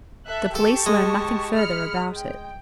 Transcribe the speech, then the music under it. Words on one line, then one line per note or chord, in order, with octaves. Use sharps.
The police learned nothing further about it.
A4 E5 F#6
G4 A4 A5 C#6
G#3
B5 F6 C#7
G5